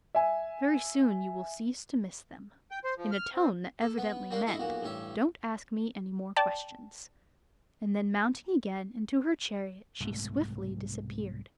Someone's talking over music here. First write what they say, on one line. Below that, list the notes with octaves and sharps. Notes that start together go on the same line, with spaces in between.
'Very soon you will cease to miss them!' in a tone that evidently meant 'Don't ask me any more questions.' And then mounting again into her chariot she swiftly disappeared.
E5 G#5
G5
C5
F3
F6
C4
A4
B3 B4
F#3 G3 A#3 D4 F#4 C6
A3 E4 D#5 C#6
B1 A#2 F#4
A1 G2 C#4 E5
D5 G5 A5
C2 G#2 B2 A3